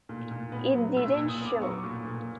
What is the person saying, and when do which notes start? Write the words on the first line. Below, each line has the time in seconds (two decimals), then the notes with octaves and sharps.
It didn't show.
0.09 A#2
0.31 A#2
0.52 B3
0.74 F#3
0.96 A#2 E6
1.12 E6
1.17 A#2
1.28 D#6
1.40 B3
1.45 D6
1.62 F#3 C#6
1.83 A#2
2.05 A#2